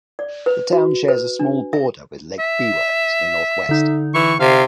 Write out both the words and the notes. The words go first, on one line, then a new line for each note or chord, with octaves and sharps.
The town shares a small border with Lake Biwa to the northwest.
D5
B4
F#4
B4
D4
E5
E5
D3 D#4
E3 C#6
C3 F5